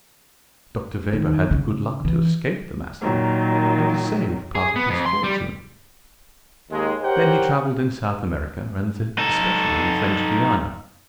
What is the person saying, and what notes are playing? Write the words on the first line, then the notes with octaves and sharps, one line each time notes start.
Dr. Weber had the good luck to escape the massacre and to save part of his fortune. Then he traveled in South America, and especially in French Guiana.
D#3
C#3
E3
A#2 D#3 F#3
G#4
B3
F2
C6
G3
D#2 G#3
G4 A#4 C5 C#5 F#5 G5
D#4 A4